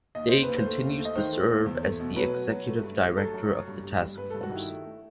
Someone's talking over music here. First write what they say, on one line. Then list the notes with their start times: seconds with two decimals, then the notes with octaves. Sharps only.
Day continues to serve as the executive director of the task force.
0.15 D#2 D#5
0.29 D#2 C5
0.43 B4
0.48 D#2
0.57 C5
0.66 A3
0.82 D#2
0.99 A3
1.05 D#5
1.16 D#3 C5
1.33 A3
1.49 D#2
1.66 E2
1.83 A3
2.00 B2
2.16 F#3 B4
2.33 F#3
2.50 F#3
2.67 A3
2.84 G2
3.01 A3
3.17 F#2 A4
3.34 F#2
3.51 F#2
3.68 G2
3.84 G2
4.01 G2
4.17 G2 B4
4.30 G2 A4
4.43 F#4
4.51 D#3 E4
4.68 A3
4.85 A3